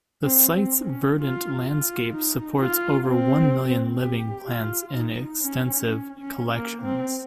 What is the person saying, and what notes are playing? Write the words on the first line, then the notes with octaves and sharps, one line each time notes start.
The site's verdant landscape supports over one million living plants in extensive collections.
C4
C4
C#4
F4
F4
D#4
F4
C4
G4
F4
D#4
C#4
C#4
C#4
A#3
C4